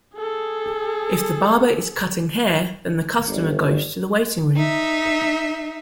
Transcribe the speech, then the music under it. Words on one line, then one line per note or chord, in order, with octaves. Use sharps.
If the barber is cutting hair, then the customer goes to the waiting room.
G#4 A4
G1
D#4 E5